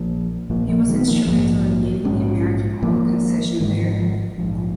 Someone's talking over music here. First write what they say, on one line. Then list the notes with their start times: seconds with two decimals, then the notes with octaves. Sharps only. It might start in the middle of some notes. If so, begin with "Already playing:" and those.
He was instrumental in gaining the American oil concession there.
Already playing: A#1 A#2 F3 A#3
0.49 A#1 A#2 F3 A#3
0.68 F3 A#3
0.88 D#3 G#3
1.07 F3 A#3
1.26 A#1 G#2 F3 A#3
2.04 A#1 G#2 G#3 C#4
2.82 G#1 G#2 F3 A#3
3.60 G#1 G#2 D#3 G#3
3.79 F3
3.99 F3
4.38 A#1 G#2 F3